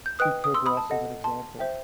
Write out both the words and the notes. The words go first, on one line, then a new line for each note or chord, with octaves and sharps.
See Kerberos as an example.
G6
B4 D#5 G5 D#6 F#6
D#6
C6 E6
B5 D#6
A5
A4 D#5 F#5
A5 C6
C5 E5 G5